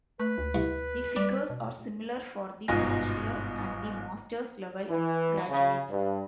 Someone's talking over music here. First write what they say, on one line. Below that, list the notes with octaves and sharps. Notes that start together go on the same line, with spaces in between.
The figures are similar for the bachelor and the masters level graduates.
A3 B4
D2
C2
G3 D5
B2
G1 G#2 B2 F4 G#5 A#6
E3
C#3
G2